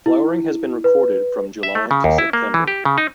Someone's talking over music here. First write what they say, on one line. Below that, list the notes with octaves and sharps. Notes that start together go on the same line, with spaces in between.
Flowering has been recorded from July to September.
E4
B4
E5
A3
C#3
D#2
E4
A#3
E3
G4
C#3
D#4